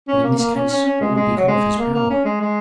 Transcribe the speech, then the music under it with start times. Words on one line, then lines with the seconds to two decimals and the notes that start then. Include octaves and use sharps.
But in this case what would become of his power?
0.08 C#4
0.23 A#3
0.39 A#3
0.55 C#4
0.70 C#4
0.85 C#4
1.01 G#3
1.16 G#3
1.37 F#3
1.48 G#3
1.78 A#3
1.94 A#3
2.10 C#4
2.25 G#3
2.41 G#3